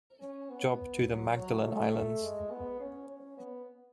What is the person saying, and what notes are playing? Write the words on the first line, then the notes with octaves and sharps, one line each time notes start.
Job to the Magdalen Islands.
C#4
B3
F#3
F#3
A3
G#3
B3
C#4
C#4
B3